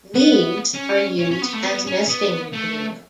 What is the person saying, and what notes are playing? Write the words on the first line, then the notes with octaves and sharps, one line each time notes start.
Leaves are used as nesting material.
B3
C#4
C#4
C#4
B3
A3
B3
C#4
B3
A3